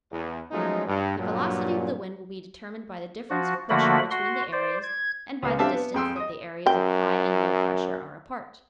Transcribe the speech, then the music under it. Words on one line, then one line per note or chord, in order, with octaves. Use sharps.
The velocity of the wind will be determined by the difference of pressure between the areas and by the distance that the areas of high and low pressure are apart.
E2
F3 F#3 G#3 A3 C#4 D#4
G2
G2 A#2 F#3
F3 F#4
D3 F3 A3 A#3 F#4 B5
F#4 C6
C5 D5
G#6
C#2 B3 F5
C4 D4 G4 E5 F5 A5
B3
F2 G#4 G5 C6 E6
D#5 D#6
F#2 G5